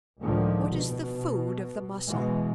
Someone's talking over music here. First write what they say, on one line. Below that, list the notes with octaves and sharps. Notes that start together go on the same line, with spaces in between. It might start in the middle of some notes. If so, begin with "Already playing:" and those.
What is the food of the Mussel?
C#2 A2 D3 D#3 F3
B2
B2 E3 G#3